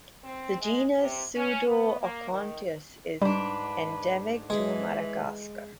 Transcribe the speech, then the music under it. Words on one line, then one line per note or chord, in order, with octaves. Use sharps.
The genus "Pseudoacontias" is endemic to Madagascar.
C4
G#3
C3
C#4
B3
A#3
D#3
G#2 G3 D4 B4
E3 G#3 G#4